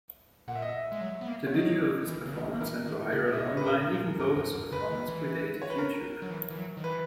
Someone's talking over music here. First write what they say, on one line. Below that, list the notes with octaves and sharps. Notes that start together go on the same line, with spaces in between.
The video of his performance went viral online even though his performance predated YouTube.
A#2 F#5
E5
D#5
E5
G#3
F#3
B3
A#3
C#5
F#3 D#5
E3
C#3
D#3
E3 A#4
D#3
C#3
A#2 E5
B2 D#5
C#5
B4
A#2 A#4
A#2
G#2 A#4
F#2
F#2
C#3 B4
D#3
E3
C#5
B4
A#4
F#3
E3
E3
F#3
D#3
E3 B4